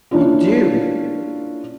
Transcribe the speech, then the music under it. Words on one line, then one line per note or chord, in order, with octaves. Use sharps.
You do.
A#3 C#4 D4 E4 F4